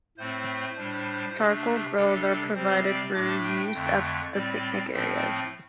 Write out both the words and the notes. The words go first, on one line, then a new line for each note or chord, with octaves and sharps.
Charcoal grills are provided for use at the picnic areas.
A2 A3 C4 C5
A2 G3 D4
C3 A3 D4
C3 G3 D4 A4
C3 G3 C4 C5
D5
A2 A3 D4 D6
G5
F2 D3 A3
A2 G3 C4 D5
A2 F3 A3 C4 G5